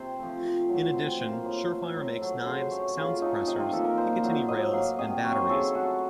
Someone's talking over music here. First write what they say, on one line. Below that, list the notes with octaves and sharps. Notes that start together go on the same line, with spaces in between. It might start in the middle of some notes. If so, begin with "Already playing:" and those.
In addition, Surefire makes knives, sound suppressors, Picatinny Rails and batteries.
Already playing: C3 C5
F3 A3
C3
F#3 A3
C3 C5
C5
F3 A#3
A#4
A2 C5
A3
A2
F#3 A3
C#3 C5
A3 C#5
C#3 F4
A3 D#4
C3 D#4
F4
F3 A#3 A4
A#4
A#2 C5
F#3 A3
A2 D#5
F#3 A#3 F5
C3 D#5
D#3 F#3 A#3 C#5
C5
C#3 A4
A3 F#4